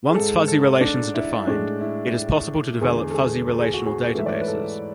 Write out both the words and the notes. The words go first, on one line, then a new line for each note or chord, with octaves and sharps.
Once fuzzy relations are defined, it is possible to develop fuzzy relational databases.
G#4
G#2 G#3 A4
A4
D4
E4
A2 G#3 D4
E4
E2 D3 G#3 G#4
A4
G#4
A4
G#4
F#4
G#4
G#2 E3 A3 E5
D5
C#5
B4
A4